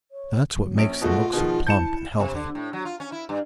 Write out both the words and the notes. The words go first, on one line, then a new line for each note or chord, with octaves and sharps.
That's what makes them look so plump and healthy.
C#5
F#3
A#1 C#4 D7
B2 A3 F4 F#4 G#4
B2 D#3 F3 G#4
E4 A5 G6 C#7 E7
C3
D3
A2
F#3
F4
C#4
E4
G2